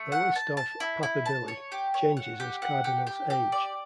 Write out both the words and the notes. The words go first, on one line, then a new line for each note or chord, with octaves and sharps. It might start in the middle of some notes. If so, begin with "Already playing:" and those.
The list of "papabili" changes as cardinals age.
Already playing: A3
F#5
A5
A5
E4
E4
A5
C#5
G4
C#5
F#5
G4
F#5
G4
G4
G4
D5